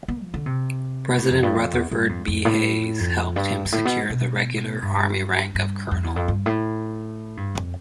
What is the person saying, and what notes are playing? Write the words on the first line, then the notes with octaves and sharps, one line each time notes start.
President Rutherford B. Hayes helped him secure the regular army rank of colonel.
B3
F3
D3
C3
A2
F2
G2
F2
E2
G2
F2
F2
A2
F2
G2
G2
A2
B2
B2
G2
G2
F2
E2
F2
G2
A2
G2
F2